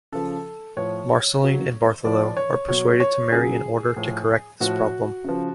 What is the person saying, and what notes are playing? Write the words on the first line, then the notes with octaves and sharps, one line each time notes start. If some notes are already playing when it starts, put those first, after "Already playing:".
Marceline and Bartholo are persuaded to marry in order to correct this problem.
C#3 F3 A4
A2 F3 C#5
C#3 F#3
A2 F3 D5
C#5
B2 F#3 C#5
C#5
C#3 F#3 G#4
A2 F3
A2 F3 F#4
C#3 F3